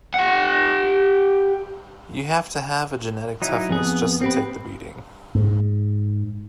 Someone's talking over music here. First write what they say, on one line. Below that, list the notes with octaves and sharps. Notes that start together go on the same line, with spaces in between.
You have to have a genetic toughness just to take the beating.
G4 F#5
F#3 D#4 E4
F2 B3 G#4
C4 G4 B4
G#2